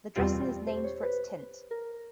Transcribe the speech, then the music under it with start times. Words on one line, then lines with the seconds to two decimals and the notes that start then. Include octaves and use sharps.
The dressing is named for its tint.
0.16 E2 B2 G3 C4 F4 G4
0.67 C5
0.84 C#5
1.03 B4
1.71 A#4